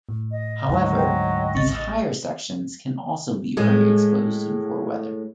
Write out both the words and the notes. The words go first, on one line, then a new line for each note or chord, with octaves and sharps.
However, these higher sections can also be very exposed in poor weather.
A2
D#5
D2 G#2 F#3
C5 D#5 G5
A1 C#6 A6
A2 G#3